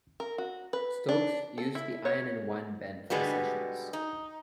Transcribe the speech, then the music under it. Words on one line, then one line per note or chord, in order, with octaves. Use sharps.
Stokes used the Iron and Wine band for the sessions.
A#4
F#4
B4
D4
A4
E4
C#5
B2 D3 G3 G#3 B3
D#4